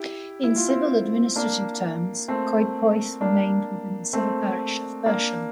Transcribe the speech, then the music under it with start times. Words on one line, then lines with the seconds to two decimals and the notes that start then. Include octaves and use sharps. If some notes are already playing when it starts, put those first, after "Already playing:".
In civil administrative terms, Coedpoeth remained within the civil parish of Bersham.
Already playing: E4 G4
0.43 E4
0.56 F4
0.68 C4 E4
1.36 A#3 D4
2.28 A3 C4
3.21 A#3 D4
4.13 A3 C4
5.06 A#3 D4